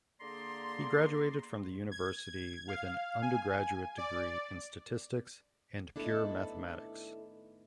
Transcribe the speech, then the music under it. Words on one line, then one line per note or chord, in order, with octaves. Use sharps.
He graduated from the university with an undergraduate degree in statistics and pure mathematics.
D3 A#3 G#4 D5 A#5 C6
G#6
F5
G#5
D5
A2 D#3 B3 D4 E4 A4